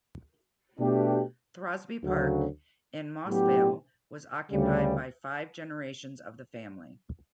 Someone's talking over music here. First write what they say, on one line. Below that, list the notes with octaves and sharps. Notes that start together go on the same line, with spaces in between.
Throsby Park in Moss Vale was occupied by five generations of the family.
B2 A3 D4 G4
D2 C#3 F#3
A2 F#3 B3 D4 G4
D2 C#3 G3